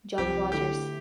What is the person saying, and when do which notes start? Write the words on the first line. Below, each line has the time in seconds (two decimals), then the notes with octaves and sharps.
John Rogers.
0.18 C2 C3 F3 C4 G4
0.52 D3 A3 E4 G4